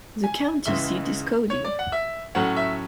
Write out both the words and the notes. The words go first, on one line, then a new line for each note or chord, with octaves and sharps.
The county seat is Cody.
G#5
C#2 C#3 E3 G#3 E5
C#5
D5
F#5
E5
A2 F#3 A3 C#4 F#5
E5